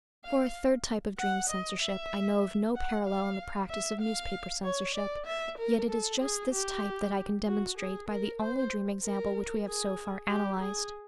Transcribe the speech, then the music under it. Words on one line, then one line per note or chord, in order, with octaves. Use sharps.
For a third type of dream censorship I know of no parallel in the practice of newspaper censorship, yet it is just this type that I can demonstrate by the only dream example which we have so far analyzed.
F5
F#5
D#5
E5
F#5
F5
E5
F5
C#5
D5
E5
A#4
A4
G#4
G4
F#4
G#4
A#4
C5
A#4
G#4
G4
G#4